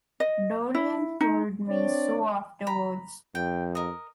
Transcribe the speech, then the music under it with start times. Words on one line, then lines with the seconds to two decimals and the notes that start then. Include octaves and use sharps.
Dorian told me so afterwards.
0.20 D#5
0.75 E4
1.21 D#4
1.69 C4 D4 C#5 D5
2.67 A#5 B5
3.35 F2 G5
3.75 A#4 D#5